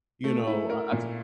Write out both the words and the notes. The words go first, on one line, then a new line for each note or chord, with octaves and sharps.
you know, I I took
A3
E4
A#4
A#2